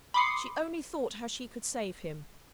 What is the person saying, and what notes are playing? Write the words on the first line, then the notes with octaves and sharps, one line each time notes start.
She only thought how she could save him.
B5 C6 D6 D#6 C7 C#7